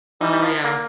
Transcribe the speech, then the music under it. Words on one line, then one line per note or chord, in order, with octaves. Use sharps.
Oh, yeah.
G3 D#4
G3
F3
A#3